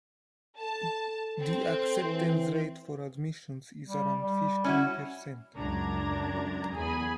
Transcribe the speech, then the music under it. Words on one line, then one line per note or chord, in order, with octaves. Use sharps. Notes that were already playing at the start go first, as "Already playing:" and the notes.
The acceptance rate for admissions is around fifteen percent.
A4 A5
C4
E3
G3
G3
C#4 E4 F#4
C#2 F#2 D4 A#5 G#6
E2 G#4 G#5 B5